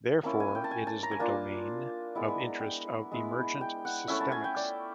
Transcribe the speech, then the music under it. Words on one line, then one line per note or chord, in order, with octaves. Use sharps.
Therefore, it is the domain of interest of emergent systemics.
A#3 C#4 E4 A5
G#5
G5
A5
G#5
A5
A#5
G#5
A#3 D4 F4 A5
G#3 B3 E4 G#5
A5
A#5
G5 G#5
G#3 B3 E4
G5
F#5
A3 C#4 E4 E5
A5
G#5
G5
D5